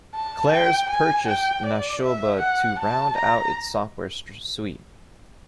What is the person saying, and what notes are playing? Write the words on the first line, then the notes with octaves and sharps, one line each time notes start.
Claris purchased Nashoba to round out its software suite.
A5
G5
G#5
G5
D5
E5
F#5
A5
A#5